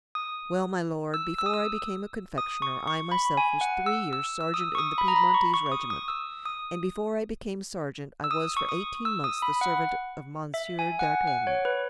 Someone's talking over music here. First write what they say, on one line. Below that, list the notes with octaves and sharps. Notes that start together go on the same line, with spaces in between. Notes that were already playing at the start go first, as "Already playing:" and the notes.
"Well, my lord, before I became a confectioner I myself was three years sergeant in the Piedmontese regiment, and before I became sergeant I was for eighteen months the servant of Monsieur d'Artagnan."
D#6
E6
E6
D#6
E6
D#6
C#6
C#6
B5
G#5
F#5
E6
E6
E6
D#6
E6
C#6
D#6
B5
A#5
B5
C#6
C#6
C#6
D#6
D#6
E6
D#6
E6
D#6
C#6
D#6
E6
D#6
B5
F#5
E5
G#5
F#5
G#5
F#5
C#5
B4